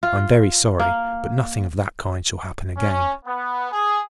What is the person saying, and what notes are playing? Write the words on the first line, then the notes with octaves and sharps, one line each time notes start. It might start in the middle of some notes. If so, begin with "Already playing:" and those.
'I'm very sorry, but nothing of that kind shall happen again.'
F4
A#3
C#4
B3
G#4